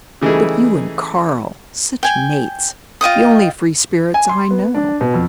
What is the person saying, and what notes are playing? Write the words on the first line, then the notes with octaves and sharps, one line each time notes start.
But you and Karl--such mates--the only free spirits I know!
C#3 E3 G3 A3 D#4 G#4
G5 G#5
F4 D#5 G5 D#6
G#5
C6
B3
D4
B2
F2